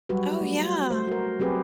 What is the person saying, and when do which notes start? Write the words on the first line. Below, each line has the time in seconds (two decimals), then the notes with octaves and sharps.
Oh, yeah.
0.09 F#3 G3 F#4 G4 B4
0.41 A3
0.90 A3 C5
1.07 F#4 A#4
1.39 F#3 C4 G4 G#4 B4